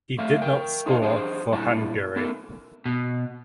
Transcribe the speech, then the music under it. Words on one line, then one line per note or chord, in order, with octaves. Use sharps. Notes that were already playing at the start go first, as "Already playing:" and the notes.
He did not score for Hungary.
A3 D5 E5 F5
A#4 G5
D#4 A4 C5 D5 D#5 F5
D4 G4 G#4 C5
A#2 G3 D4 E4 A5
B3 D#4 A4 A#4
B2